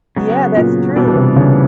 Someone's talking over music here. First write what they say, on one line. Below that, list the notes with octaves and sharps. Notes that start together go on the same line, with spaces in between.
Yeah, that's true.
C#3 F#3 B3
A#2
B2 E3 G3 B3 D4
B2
C3
C#3